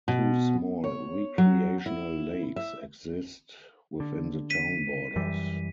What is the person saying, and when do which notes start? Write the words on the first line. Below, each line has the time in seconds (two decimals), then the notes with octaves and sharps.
Two small recreational lakes exist within the town borders.
0.08 B2
0.84 C#5
1.38 F#3
1.86 E4
2.56 E5
4.00 D3
4.50 B6 D#7
5.16 F#2 E3 G3